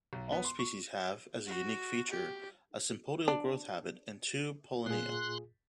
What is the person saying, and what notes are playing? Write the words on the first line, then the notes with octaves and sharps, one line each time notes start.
All species have, as a unique feature, a sympodial growth habit and two pollinia.
B1
B3
C6
C#6
F#4
G4
D4
A#2 F4 G#4 C6 F#6